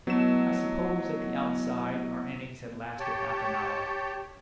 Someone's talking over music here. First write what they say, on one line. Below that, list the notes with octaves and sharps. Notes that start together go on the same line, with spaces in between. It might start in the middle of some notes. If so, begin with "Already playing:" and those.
I suppose, at the outside, our innings had lasted half an hour.
F#3 A3 B3 E4 D#5 E7
G4 C#5 G5 A5